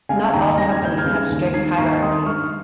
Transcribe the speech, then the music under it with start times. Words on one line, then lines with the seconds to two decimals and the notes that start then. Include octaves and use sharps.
Not all companies have strict hierarchies.
0.09 C#3 G3 F5 G#5
0.34 D#2 G5 A#5
0.58 C#3 G3 A#6
0.71 G#6
0.82 D#2 G6
0.98 F6 G#6
1.06 C#3 G3
1.30 D#2
1.54 D#3 G3 G#6 C7
1.78 D#2 A#5 C#6
2.02 D#3 G3 C6 D#6
2.26 G2 C#6 F6